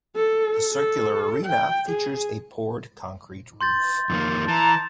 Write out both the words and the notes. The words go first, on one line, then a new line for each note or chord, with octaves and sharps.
The circular arena features a poured concrete roof.
A4
A4
G5
G#4
C6 G6 A6
F2 D#3 A#3
E3 A5 A#5